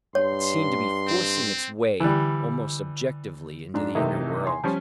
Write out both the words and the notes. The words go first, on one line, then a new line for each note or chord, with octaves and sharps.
It seemed to be forcing its way, almost objectively, into the inner world.
G2 C#5 C6
C4
D3 E3 G3
G#2 D4
G#1 C3 E3 A3 D#4
G#5 C6
F3 G3 C#4